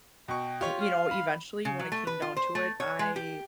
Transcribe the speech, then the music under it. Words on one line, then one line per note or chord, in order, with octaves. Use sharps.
h you know, eventually, when it came down to it, I,
B2 G5 C#6
F4 G4 C#5
F5
B5
C#3
F#3
A3
B4
F4
C5
A3
C#5
G#3
G4